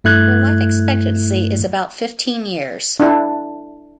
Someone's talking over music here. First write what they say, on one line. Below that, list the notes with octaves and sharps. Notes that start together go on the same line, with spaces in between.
Their life expectancy is about fifteen years.
G2 A3 E4 F#6 G#6
D4 E4